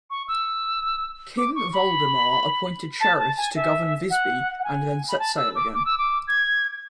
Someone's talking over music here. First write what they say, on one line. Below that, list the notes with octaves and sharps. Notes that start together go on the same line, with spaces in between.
King Valdemar appointed sheriffs to govern Visby and then set sail again.
C#6
E6
D6
C#6
B5
A5
A5
G#5
E5
F#5
F#5
G#5
B5
A5
E6
D6
D6
E6
D6
G#6